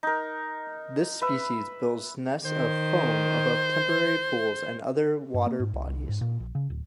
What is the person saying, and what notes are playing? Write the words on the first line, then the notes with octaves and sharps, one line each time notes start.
This species builds nests of foam above temporary pools and other water bodies.
D#4 A#4
B4 E5
D#3 C5
G2
A#3
G#2
C2
C2
G#2
A#2
A#1
C#3
D1